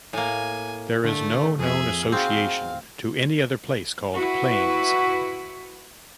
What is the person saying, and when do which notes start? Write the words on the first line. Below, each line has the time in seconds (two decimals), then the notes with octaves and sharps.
There is no known association to any other place called Plains.
0.13 A2 A#3 G#5
1.04 D3 A3
1.59 F2 G#4 E5
2.12 C4 D#4 F#4 G#4 F5
4.15 E4 F#4 B4